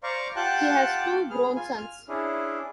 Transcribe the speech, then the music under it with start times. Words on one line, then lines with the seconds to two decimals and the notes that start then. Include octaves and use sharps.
He has two grown sons.
0.03 C5 D5 F5 A#5 C#6
0.36 F4 G4 F#5 G5 A5 F#6
1.30 B3 G#4 F6
1.56 F4 G#5
1.78 F6
2.08 C#4 D4 E4 G#4